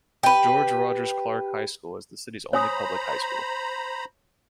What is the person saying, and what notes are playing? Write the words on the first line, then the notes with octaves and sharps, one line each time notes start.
George Rogers Clark High School is the city's only public high school.
G4 B4
C5 C#5 G#5 A#5 B5 D#6